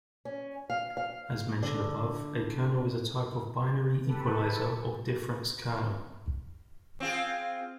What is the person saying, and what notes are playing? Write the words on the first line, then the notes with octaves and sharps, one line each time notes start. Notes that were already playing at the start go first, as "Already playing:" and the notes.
As mentioned above, a kernel is a type of binary equaliser, or difference kernel.
C#4
F5
F5
D3
G4 A4 B4
C4 F4 G#4